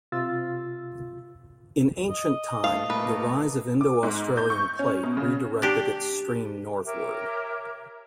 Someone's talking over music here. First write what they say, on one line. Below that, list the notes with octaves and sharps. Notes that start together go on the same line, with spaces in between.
In ancient time, the rise of Indo-Australian Plate redirected its stream northward.
C3 F4 E6 A6
D#5
A3 F5
A#2 A3 B4
D6
G#2
G6
C#6
C#4
B2
C#3
D4 G4
G4 A#4 C#5 E5